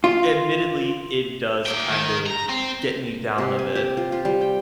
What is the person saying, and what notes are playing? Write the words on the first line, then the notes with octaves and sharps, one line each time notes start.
admittedly, it does kind of get me down a bit.
F4
A#2 G5
D#3
A#5
C4
C3
G#5
G4
F4
F4
G3
G5